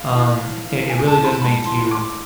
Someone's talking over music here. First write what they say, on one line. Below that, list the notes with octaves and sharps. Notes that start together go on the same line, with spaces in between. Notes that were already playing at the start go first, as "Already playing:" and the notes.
um, it it really does make you
Already playing: F5
E3
A2
E3
G#2 G#5
A5
E3
B5
G#2 B5
E3 C6
A2 D6